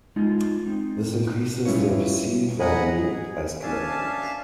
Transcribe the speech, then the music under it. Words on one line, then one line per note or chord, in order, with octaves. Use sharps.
This increases their perceived value as collectibles.
G#3 D#4 F4
C4 D#4
G3 C#4 E4 F4 B4 C#5
D#5 F#5 G#5 A#5 B5
G#4
C#4 D4 E5 F5 G#5 A5